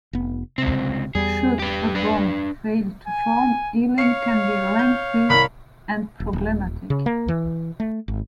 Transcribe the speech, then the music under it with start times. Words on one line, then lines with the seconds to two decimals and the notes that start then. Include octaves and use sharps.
Should a bond fail to form, healing can be lengthy and problematic.
0.13 F1 B3
0.58 C#2 C3 C4
1.15 E2 G3 G#4
1.59 G4 B4
1.95 D4 B4
3.07 G#5
3.98 C#5 F5 C7 C#7
4.79 G6
5.30 C2 A#4 B5
6.20 E1
6.33 D#1
6.90 C#3
7.06 A#3
7.28 E3
7.80 A3
8.08 G#1